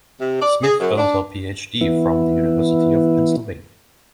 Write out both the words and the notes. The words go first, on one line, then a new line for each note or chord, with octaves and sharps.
Smith earned her Ph.D. from the University of Pennsylvania.
C3
D5
G#4
F#2
D4
E3 B3 E4